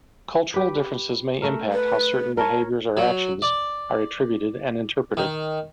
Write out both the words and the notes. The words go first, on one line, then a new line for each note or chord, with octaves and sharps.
Cultural differences may impact how certain behaviors or actions are attributed and interpreted.
G4 B4
A3 A#4
B4
A#4 C#5 A5
F#3
D5
D#3